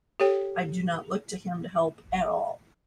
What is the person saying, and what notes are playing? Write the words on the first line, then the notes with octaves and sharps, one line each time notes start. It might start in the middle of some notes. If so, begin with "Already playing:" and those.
I do not look to him to help at all,
G4 A4 C#5 G5